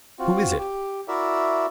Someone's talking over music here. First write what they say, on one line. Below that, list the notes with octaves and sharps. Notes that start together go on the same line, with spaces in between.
"Who is it?"
C4 F4 F#4
G4
E4 F#4 A#4 D5 E5